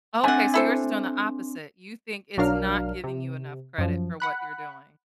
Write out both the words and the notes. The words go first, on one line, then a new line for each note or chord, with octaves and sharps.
Okay so, yours is doing the opposite, you think it's not giving you enough credit for what you're doing.
A3 C4 D4 F#5 G#5
E4 A4 C5
B1 F#3 D4 A#4 F5 F6
C3
F#2 F3
F#5 B5 F#6